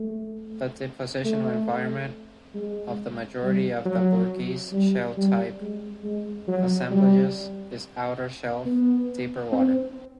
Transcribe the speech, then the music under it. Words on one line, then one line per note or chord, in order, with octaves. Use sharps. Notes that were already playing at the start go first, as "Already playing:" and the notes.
The depositional environment of the majority of Burgess-Shale-type assemblages is outer shelf, deeper water.
Already playing: A3
A3
G#3
G3
F#3
G3
G3
G#3
G#3
F#3
G3
B3
C4